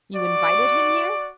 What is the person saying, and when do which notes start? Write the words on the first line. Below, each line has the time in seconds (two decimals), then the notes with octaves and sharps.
You invited him here?
0.14 F#4 D5